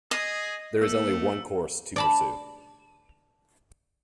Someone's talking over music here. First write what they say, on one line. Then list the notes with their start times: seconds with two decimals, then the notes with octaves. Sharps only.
There is only one course to pursue.
0.11 G#4 D#5
0.81 A3 A#3 E6
1.96 D5 A5 B5